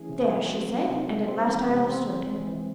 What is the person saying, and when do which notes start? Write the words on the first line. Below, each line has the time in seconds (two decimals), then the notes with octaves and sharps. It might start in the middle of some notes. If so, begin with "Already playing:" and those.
"There!" she said--and at last I understood.
Already playing: E3 A3 C#4 E4 G#4
0.09 C3
0.28 A3 G#4
0.48 C4 F#4
0.68 F#3
0.89 C3 D#4
1.08 G#3
1.28 C4
1.48 E3
1.68 C3
1.88 C4
2.08 E3
2.27 G#3
2.47 E3